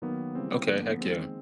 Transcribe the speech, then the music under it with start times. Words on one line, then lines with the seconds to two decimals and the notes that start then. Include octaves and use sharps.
Okay, heck yeah.
0.02 D#3 F#3 A#3 B3
0.35 C#3 E3 G3 A#3 C4
0.51 C4
0.67 D3 F3 A#3 B3
0.83 B3
1.01 D#3 G#3 C4